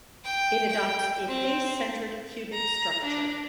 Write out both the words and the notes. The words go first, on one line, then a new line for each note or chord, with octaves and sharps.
It adopts a face-centered cubic structure.
G5
G5
C4
A#5
D4